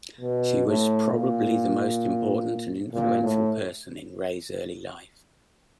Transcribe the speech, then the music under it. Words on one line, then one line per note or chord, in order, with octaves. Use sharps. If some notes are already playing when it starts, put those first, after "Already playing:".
She was "probably the most important and influential person" in Ray's early life.
B2
A2
A#2
A#2
A2